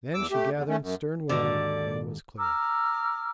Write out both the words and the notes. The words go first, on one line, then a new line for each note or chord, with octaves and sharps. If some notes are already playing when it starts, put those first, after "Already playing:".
Then she gathered stern way and was clear.
E2 D6 E6
A3 G4
E2 D3
A3 C#4
F#2
D#2 G#2 D3 F#4 D5
A#5 D6 E6 F6